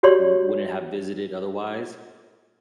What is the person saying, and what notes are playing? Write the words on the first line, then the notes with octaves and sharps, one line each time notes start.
w wouldn't have visited otherwise,
F#4 G4 C#5 D5 C6